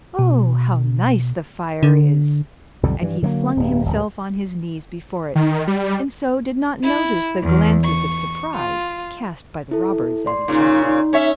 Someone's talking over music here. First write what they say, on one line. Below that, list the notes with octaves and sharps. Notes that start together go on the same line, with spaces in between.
Oh, how nice the fire is!' And he flung himself on his knees before it, and so did not notice the glances of surprise cast by the robbers at each other.
B2
D3
B1 F2 D3 G3
G2 E3
D3 F#3 G3 A#3
D1 G2
D1 D2 G2
D#3
G3
E4
E2
C#6
F4
E4 A4
D5 C6
A#2 C#3 D#4
D#4
C#4 C#5 E5